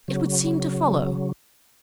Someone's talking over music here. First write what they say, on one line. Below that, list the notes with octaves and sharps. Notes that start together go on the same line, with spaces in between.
'It would seem to follow.'
C#3 F#3